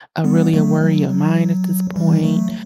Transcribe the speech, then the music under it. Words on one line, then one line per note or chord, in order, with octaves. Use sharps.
a really a worry of mine at this point."
G3 B3
F#3 A3
F#3
F#3
E3 G3
F#3 A3